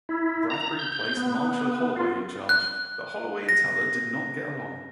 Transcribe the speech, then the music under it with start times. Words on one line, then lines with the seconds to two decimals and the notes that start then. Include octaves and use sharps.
Bradbury placed Marshall Holloway in charge, but Holloway and Teller did not get along.
0.09 E4
0.50 A#5
0.79 G6
1.17 B3
1.96 F4
2.49 F#6
3.49 A#6